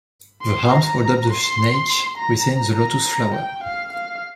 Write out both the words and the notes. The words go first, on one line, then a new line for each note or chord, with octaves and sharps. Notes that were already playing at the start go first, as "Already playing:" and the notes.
The arms hold up the snake within the lotus flower.
C6
A#5
C6
A#5
A#5
A#5
G5
F5
F5